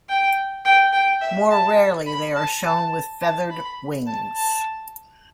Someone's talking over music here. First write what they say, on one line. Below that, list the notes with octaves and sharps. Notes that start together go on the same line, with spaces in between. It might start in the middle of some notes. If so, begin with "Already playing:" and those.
More rarely, they are shown with feathered wings.
G5
G5
G5
E5
A5
B5
A5
A5
A5
B5
A5
A5